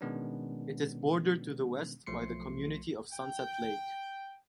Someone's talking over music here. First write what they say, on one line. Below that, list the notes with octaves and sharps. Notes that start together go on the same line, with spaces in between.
It is bordered to the west by the community of Sunset Lake.
B2 D#3 G#3 B3 C#4 D4
B1 F3 A3 C6 C7 C#7
G5